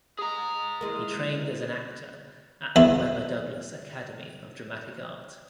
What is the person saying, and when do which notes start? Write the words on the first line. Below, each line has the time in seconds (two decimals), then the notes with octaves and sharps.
He trained as an actor at the Webber Douglas Academy of Dramatic Art.
0.19 G#4 A#5
0.81 E3 G#3 A#3
2.76 E2 E4